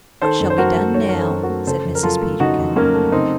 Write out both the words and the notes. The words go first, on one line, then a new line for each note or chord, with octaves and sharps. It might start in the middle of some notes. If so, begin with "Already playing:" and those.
"What shall be done now?" said Mrs. Peterkin.
D#3 A4 C5
F#2
C5
F#3 F#4 A#4
A3
D#3 C#5
F#2 A#4 C#5
A4 C5
F#3
F#4 A#4
A3
C#3 A4 C5
F2
A#4
F#3 F4 A4
A3
C#3 D#4 F#4
F2
F#3 A#3 C#4
A3
C#3 C4 D#4